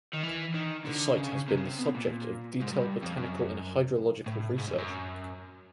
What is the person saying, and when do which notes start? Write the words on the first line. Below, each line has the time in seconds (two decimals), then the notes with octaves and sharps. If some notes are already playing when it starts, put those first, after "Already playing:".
The site has been the subject of detailed botanical and hydrological research.
0.14 D#3
0.24 E3
0.54 D#3
0.85 D3
1.17 C#3
1.48 C3
1.57 C#3
1.67 C3
1.78 B2
1.95 A#2
2.62 G#2
2.72 G2
3.02 F2
3.17 F#2
4.26 A2
4.58 G#2
4.68 F#2
4.74 F2
4.78 F#2